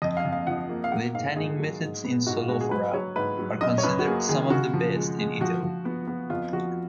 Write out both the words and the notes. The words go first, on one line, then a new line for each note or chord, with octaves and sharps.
The tanning methods in Solofra are considered some of the best in Italy.
F2 D#5
F5
F2
F5
F3 F#5
A#3
F5
A#3 F#5
G#2 F5
G#2 G#4
F#3
G#2
B3
G#2 F#4
F4
G#3 F#4
G#4
F#3 B4
F#3 C#5
G#2 B4
F#3
F#2 D#5
C#5
F#2 B4
F#4
A#3 G#4
D#3 G#4
C#3 F#4
F3
G#3
G#3
F3 F#4
F3
B3
B3
F2 F4
F3 F#4